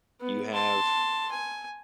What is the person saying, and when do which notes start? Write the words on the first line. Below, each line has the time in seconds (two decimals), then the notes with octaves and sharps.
you have
0.21 B3
0.53 A5 C6
1.32 G#5